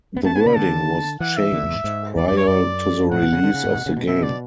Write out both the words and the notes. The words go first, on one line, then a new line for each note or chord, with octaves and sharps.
The wording was changed prior to the release of the game.
B3
A3 A5
B3 G#5
A5
C#3 B5
D3 A5
E3 F#5
E5
D3
E2
G#2
G#2
E2 D5
F#2 D5
C#5
F#2 D5
A2 F#5
B2
C#3
D3
C#3
G#2
B2
C#3
B2
B2 E5
D5